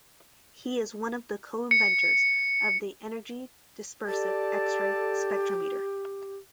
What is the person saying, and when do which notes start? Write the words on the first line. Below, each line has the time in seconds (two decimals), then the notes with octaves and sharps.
He is one of the co-inventors of the Energy dispersive X-ray spectrometer.
1.71 C#7
4.08 G4 A4 D5 A5